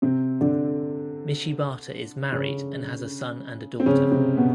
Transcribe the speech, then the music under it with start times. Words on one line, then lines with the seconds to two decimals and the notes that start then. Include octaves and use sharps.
Michibata is married and has a son and a daughter.
0.02 C3 C4
0.41 D3 D4
2.32 C#3 C#4
3.80 C4
3.86 C#3 C#4
4.12 C3 C4
4.37 B2 B3